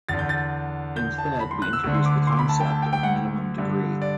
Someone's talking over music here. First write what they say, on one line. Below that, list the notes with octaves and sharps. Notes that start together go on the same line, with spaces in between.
Instead, we introduce the concept of minimum degree.
E2 D3 A6
G6
A6
G6
A5
B5
C6
F#6
E6
D2 D3
C6
D6
C6
B5
A5
G5
A5
G5
G5
F#5
G2 D3
D5